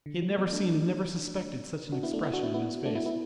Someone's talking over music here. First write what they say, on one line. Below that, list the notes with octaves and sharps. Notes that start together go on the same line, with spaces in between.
He had never seen and never suspected such an expression in his face.
D3
E3
F#3
A3
F#3 B3
A3 D4
A3 D4
D4 F#4
B3 E4
A3 D4
B3 E4
D4 F#4
B3 E4
B3 E4
A3 D4
B3 E4
B3 E4